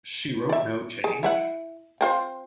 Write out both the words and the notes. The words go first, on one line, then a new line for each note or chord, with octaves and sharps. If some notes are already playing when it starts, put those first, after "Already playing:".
She wrote No Change?
D5 E5
G#4
E4 E5 F#5
C4 F4 C5